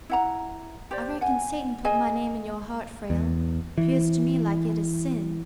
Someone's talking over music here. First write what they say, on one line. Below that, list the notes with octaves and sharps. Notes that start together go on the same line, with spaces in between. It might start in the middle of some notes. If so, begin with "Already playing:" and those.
"I reckon Satan put my name in your heart, Frale; 'pears to me like it is sin."
E4 F#5 A#5
G4 C5 D5
F#5 G#5
G#4 D#5 G#5
E2
E3